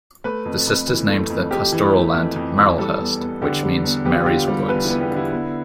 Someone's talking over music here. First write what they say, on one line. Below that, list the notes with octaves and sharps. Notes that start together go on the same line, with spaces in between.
The Sisters named the pastoral land Marylhurst, which means "Mary's Woods".
A3 B4
F2
F2
E3
A3
F2
F2 G4
E3
A3
F2
F2
E3
G3 A4
E2
B3
D3 G4
G3
E2
B3 G4
F4
D3 G4
G3
E2 B4
E4
B3
G4
D3
E4
B3